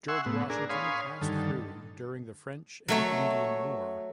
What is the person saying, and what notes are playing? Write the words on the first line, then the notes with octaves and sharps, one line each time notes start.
George Washington passed through during the French and Indian War.
E5 F#5 G#5 C6 C#6 E6
A2 B3
D4 G#4 A#4
C#5 F5 G#5 B5 C6 D#6
G2 D3 D#3 A4
F#3 A3 C#5